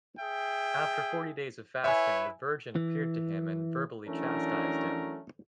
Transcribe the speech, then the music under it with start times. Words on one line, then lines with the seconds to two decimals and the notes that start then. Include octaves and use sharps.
After forty days of fasting, the Virgin appeared to him and verbally chastised him.
0.19 G#4 E5 G5
1.84 E4 B4 C#5 E5 G#5
2.76 E3
4.07 E3 F#3 A3 C#4 D4 A#4